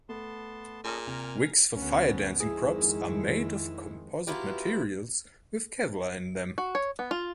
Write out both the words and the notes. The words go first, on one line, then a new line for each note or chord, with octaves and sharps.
Wicks for fire dancing props are made of composite materials with Kevlar in them.
A3 B3 A5 C6
A#2 C#4 G#4 A4 D#5
C3 A#4 G#5 A#5
D2 B3 C#4
F2 D#3 G#3 E4 G#4
F#3 B3 E4 F4 G4
F#4
C#5
B3
F4